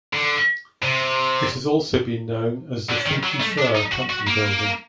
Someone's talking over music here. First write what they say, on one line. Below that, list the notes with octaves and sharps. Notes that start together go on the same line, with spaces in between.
It has also been known as the Fouke Fur Company Building.
D3
C3
D3
D#3
F#3
A3
D4
D#4
F#4
F#4
A#3